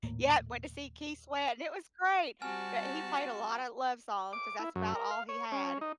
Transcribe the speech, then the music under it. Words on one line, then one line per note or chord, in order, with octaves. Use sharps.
Yep, went to see Keith Sweat, and it was great, but he played a lotta love songs 'cause that's about all he had.
D#1 A2 A#3
G3 C4 F#4 G4 G#5 A5 F6
D6
E4
F#2
A#4
F5
C#5
C#4
D#4